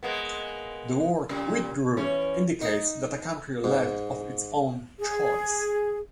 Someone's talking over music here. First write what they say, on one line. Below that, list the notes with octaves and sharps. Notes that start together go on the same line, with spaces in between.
The word "withdrew" indicates that a country left of its own choice.
G#3 A#3 B3
A#2 C#3 G3
E3 C#4
D#4
G#2
G#4